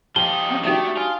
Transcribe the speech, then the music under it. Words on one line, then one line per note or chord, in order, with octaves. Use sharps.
Oh, yeah.
F3 D#4 G4 A5 G7
A3 D4 D#4 F#4 G4 E5 D#6
F4 G#5 D#6